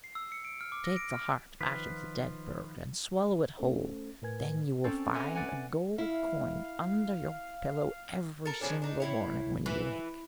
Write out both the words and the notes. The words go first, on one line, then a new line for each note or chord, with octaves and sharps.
Take the heart out of the dead bird and swallow it whole, then you will find a gold coin under your pillow every single morning when you wake.'
C7
E6
C#7
D7
F6
D6
A#6
D7
F6
D#3 F3 F4 B4
A3 C#4 A4 C5
A2 A3 A#4 B4 G#5 G#6
C4 C#4 A4 C5 D5
E5 F#5 G#5 A#5 C6 D6
B4 D5 F#5 G#5
E4 F5
A4 A#4
C#3 F3 C#4 D4
D4 D#4
A2 E4 C#5
E3